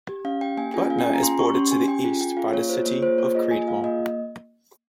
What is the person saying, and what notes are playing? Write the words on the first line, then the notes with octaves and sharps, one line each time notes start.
Butner is bordered to the east by the city of Creedmoor.
G4
C#4 F5
G4 G5
A#3 G#5
C#4 F4 G#4 G#5
A#3 F5
G5
C#4 F4 G#4 G#5
A#5
C#4 C6
G4 C#6
C#4 C6
G4 G#5
G#5
C#4 G5
F4 G#4 G#5
C#4 G5
F4 G#4 F5
A#3 C#5
F4 G#4 C5
A#3 C#5
F4 G#4 C5
A#3 C#5
F4 G#4 D#5
A#3 G#5
F4 G#4 F5
A#3 D#5